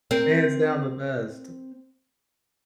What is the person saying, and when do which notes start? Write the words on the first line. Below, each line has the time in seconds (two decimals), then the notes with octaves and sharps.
hands-down the best!
0.11 C4 A#4